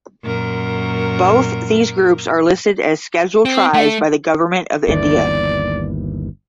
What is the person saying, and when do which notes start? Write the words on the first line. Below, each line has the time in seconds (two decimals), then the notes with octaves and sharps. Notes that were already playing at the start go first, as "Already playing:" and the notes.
Both these groups are listed as Scheduled Tribes by the Government of India.
0.23 F#2 A#2 A#4
3.45 C4
3.74 A3
4.88 G1 D#2 E3 D5